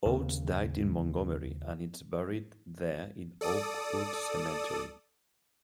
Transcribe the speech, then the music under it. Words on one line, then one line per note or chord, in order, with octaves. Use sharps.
Oates died in Montgomery, and is buried there in Oakwood Cemetery.
D#2 C#3
A4 D5 D#6